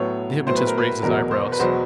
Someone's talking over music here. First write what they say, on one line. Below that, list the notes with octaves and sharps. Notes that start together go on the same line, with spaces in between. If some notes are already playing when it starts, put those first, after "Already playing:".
The hypnotist raised his eyebrows.
Already playing: A2 F#3 B3 C#5
A2 F#3 B3 C5
B4
A#4
B4
E2 B2 F#3 A#4
C5
B4
E2 B2 F#3 C5